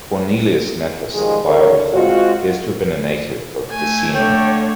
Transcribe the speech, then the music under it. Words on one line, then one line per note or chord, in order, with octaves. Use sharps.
Cornelius Nepos, the biographer, appears to have been a native of Ticinum.
D#3 F3 G3 G#3
D3 A#4 C#5
G#3 C4 F4 F#4
A3 G#5
D3 A3 C#5 G5